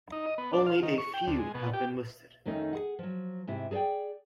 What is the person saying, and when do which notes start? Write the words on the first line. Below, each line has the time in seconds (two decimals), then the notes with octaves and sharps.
Only a few have been listed.
0.12 D#4
0.26 D#5
0.38 B3
0.53 D4
0.66 F5
0.83 D#3
0.98 C#6
1.14 G5
1.27 D2
1.39 G#3
1.54 B2
1.73 G4
2.46 F2 D#3 A3 C#4 D#4
2.73 G#4 F#5
2.99 F3 F#3
3.47 G#2 C3 E4
3.71 G#4 A4 C#5 D5 G5